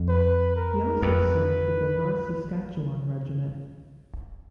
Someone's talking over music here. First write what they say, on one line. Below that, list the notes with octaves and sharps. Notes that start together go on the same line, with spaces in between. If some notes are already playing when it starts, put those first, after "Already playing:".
He also served with the North Saskatchewan Regiment.
Already playing: F2
B4
A#4
F2 B4